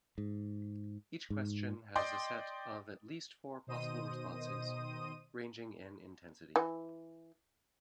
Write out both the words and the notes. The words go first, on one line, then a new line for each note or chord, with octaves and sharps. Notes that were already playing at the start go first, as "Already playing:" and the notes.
Each question has a set of at least four possible responses, ranging in intensity.
G#2
G#2
D5 D#5 G5 C6
B2 D#3 C5 D#5 D#6 D#7
E3